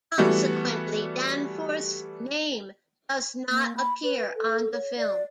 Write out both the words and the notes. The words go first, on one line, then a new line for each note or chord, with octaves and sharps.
Consequently, Danforth's name does not appear on the film.
E3 G3 A3 B3 F#4
A#3
B5
B4
A4
C#5
D5